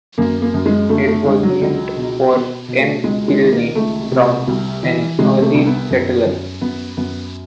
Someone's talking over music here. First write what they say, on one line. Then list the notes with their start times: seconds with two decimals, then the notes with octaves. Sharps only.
It was named for M. Pliny Brown, an early settler.
0.18 F#2 A#3
0.42 A#3
0.54 F#2
0.66 G#3
0.89 D3 A3
1.08 A3
1.25 D3 G#3
1.43 F#3
1.61 C#2
1.97 B2
2.32 B2 B3
2.68 B2
2.80 A3
3.04 C#2 G#3
3.28 G#3
3.40 D#3
3.52 A#3
3.75 C#2 A3
4.11 C3
4.48 C2
4.83 E3
5.18 C3 G#3
5.42 A3
5.54 C2
5.66 B3
5.90 F#2
6.26 F#2
6.61 F#2 B3
6.97 F#2 B3